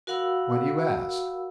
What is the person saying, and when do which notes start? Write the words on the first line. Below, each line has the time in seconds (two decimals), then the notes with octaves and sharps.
"Why do you ask?"
0.07 F#4 A#4 F5 F#5 B5 E6